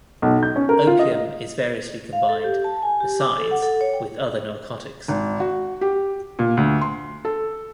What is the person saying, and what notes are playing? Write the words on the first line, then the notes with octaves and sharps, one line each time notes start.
Opium is variously combined, besides, with other narcotics.
B1
G6
C#4
A#4
F4
D#5
D#5
F5
A4
G4
A5
G#5
G4
D6
A4
F#5
A4
C#5
G5
G#1
F#4
G4
A#2
D2
C6
A4